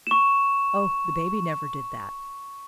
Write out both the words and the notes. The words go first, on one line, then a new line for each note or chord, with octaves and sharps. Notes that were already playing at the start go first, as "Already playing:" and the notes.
Oh, the baby never did that.
C#6 E7